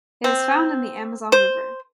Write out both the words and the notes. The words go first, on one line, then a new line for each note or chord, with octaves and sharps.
It is found in the Amazon River.
C4
C5